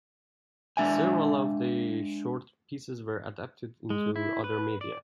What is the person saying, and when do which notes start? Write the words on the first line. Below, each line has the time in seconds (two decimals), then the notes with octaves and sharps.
Several of the short pieces were adapted into other media.
0.77 G#3 D4 E5 G#5
3.90 G#3
4.16 E4
4.44 B4
4.81 D5